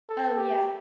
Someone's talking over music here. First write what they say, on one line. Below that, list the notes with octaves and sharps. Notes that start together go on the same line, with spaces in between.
Oh, yeah.
A4
G4